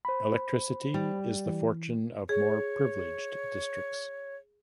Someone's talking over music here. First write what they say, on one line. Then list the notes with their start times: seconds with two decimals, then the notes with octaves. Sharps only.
Electricity is the fortune of more privileged districts.
0.05 C5 B5
0.94 G3
1.46 E3
2.29 G#4 C#5